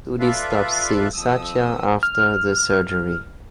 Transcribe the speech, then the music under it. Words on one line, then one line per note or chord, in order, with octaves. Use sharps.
Sudhi stops seeing Satya after the surgery.
F4 A4 B4 D5 E5 F5
F2 F3 D#6 E6
F6